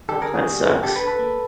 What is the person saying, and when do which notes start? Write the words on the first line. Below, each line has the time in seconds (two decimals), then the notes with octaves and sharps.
Ugh, that sucks,
0.09 G3 G4 A4
0.22 G#4 A#4
0.28 D3
0.34 F#4 G#4
0.46 G3
0.65 A#3
0.83 D3 G4 A4
0.95 A4 B4
1.01 D3
1.07 A4 B4
1.19 A#3